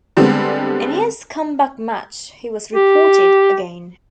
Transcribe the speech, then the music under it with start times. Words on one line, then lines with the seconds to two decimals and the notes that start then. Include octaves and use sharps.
In his comeback match, he was reported again.
0.17 D3 G3 G#3 B3 C4
2.75 G4